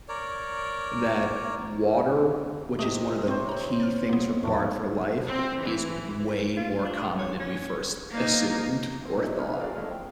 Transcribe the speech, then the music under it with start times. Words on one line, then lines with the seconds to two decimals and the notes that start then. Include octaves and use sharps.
that water- which is one of the key things required for life- is way more common than we first assumed or thought.
0.08 A#4 C#5 D5
2.79 C3 A3 G4 D#5
3.28 C4 C5 C#5
3.49 A#5 B5
3.80 F6 A6
4.09 C2 A#3 B3
4.43 B1 E2 A2 F3 A3
5.29 C4
5.63 E3
6.57 F4
6.85 D4
7.19 C#5
7.40 C#4
8.11 A#3 D#4
9.01 C2 B2 C4
9.16 F#3 B3 D4 E4 C#5 D#5
9.39 B3 D#4 F4 F6 F#6
9.59 E4 F#4 G#4 A#4 D5 F5
9.75 C2 F3 G#3 A3 F6
9.91 G5